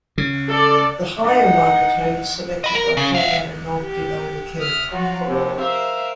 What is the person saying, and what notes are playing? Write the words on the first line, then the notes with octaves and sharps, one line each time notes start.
The higher microtone is selected by pulling out a knob below the key.
C#3
A4 D5
D#4 F#5
D#5 B5
A#4
C#3
E5 F5
G4
E5 D#6 F6
F3 F#3 F4 F#4
D#2 C3
A#4 C5 E5 F5